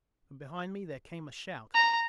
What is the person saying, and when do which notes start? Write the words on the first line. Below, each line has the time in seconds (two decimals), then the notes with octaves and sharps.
From behind me there came a shout.
1.74 A#5